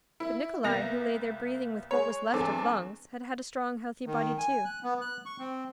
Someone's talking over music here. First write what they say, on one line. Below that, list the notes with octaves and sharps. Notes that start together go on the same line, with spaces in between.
But Nikolay, who lay there breathing with what was left of lungs, had had a strong, healthy body too.
E4
C2 A#3 B3 A#6 F7
G#3 C#5
E2 G2 G#3 C4 A4 D6
D#3
G#5
F#6
B3
F#6
C#6
C4